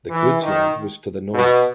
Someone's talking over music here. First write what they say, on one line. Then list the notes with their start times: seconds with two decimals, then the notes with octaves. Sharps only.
The goods yard was to the north.
0.10 E3
0.42 D#3
1.34 B2